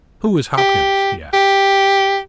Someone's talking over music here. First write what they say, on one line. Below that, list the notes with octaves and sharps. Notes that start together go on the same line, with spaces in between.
"Who is Hopkins?" he asked.
G4
G4